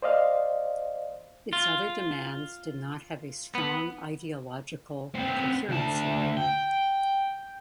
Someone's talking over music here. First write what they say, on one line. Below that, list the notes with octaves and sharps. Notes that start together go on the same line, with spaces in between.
Its other demands did not have a strong ideological coherency.
C5 D5 D#5 F5
F4
B3
B3 C4
D2 A5
G5